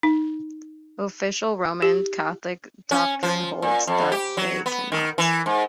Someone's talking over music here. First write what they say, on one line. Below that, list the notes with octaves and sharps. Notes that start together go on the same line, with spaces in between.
Official Roman Catholic doctrine holds that they cannot.
D#4
G4
C#4
F3
A#2
F2
G4
F#3
B3
D#3
E3
G#2